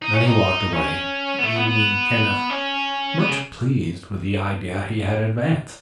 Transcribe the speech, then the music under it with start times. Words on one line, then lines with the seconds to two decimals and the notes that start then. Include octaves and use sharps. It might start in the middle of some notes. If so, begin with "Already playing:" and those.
Then he walked away, leaving Kenneth much pleased with the idea he had advanced.
0.02 D#4
0.14 C#4
0.26 D#4
0.73 C#4
1.39 B3
1.44 A3
1.56 B3
1.67 B3
2.50 C#4
3.19 B3
3.28 C#3